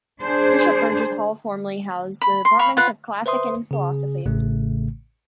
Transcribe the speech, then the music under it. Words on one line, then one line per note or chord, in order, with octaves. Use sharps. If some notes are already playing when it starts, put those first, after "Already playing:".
Bishop Burgess Hall formerly housed the departments of Classics and Philosophy.
D4 G#4 C5
B5
C6
F5 B5 C#6
F4 B4 F#5
B4 C5 E5 C6 D#6
C#3 G#4
A1 A2 C#3 A3